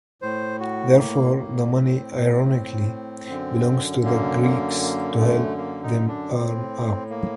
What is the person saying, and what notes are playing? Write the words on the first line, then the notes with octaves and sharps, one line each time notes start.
Therefore the money ironically belongs to the Greeks to help them arm up.
A2 C5
F#4
A#3
A#3
C4
F#2 D3
A#3
A#3
A#3
A3
A#3
D#4
D4
A2 C4
A#3